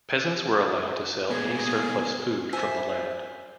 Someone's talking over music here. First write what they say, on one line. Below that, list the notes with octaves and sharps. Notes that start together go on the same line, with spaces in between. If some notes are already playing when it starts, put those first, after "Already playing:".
Peasants were allowed to sell any surplus food from the land.
C#2 A#2 B3 G#4 G#5
C5 E5 G#5